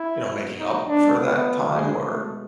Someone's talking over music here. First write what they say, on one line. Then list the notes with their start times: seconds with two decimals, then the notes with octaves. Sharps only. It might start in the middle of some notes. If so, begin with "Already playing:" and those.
you know, making up for that time where
Already playing: E4
0.29 B2 F#3
0.58 D#4
0.87 B2 G#3 D4
1.16 B3
1.45 A2 F#3
1.74 G#3
2.03 B2 G#3 A3